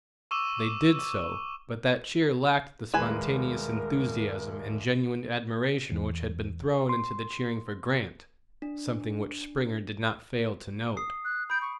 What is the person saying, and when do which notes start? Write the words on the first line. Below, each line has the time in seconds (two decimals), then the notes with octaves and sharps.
They did so, but that cheer lacked the spontaneous enthusiasm and genuine admiration which had been thrown into the cheering for Grant, something which Springer did not fail to note.
0.31 C#6 D6 E6 D#7 E7 G7
2.94 D#1 G#3 A#4 B4 G#5 E7
5.92 E2
6.89 C6
8.62 D4
10.97 D#6 C7
11.25 F#6
11.50 B5 G6 D7
11.62 C#6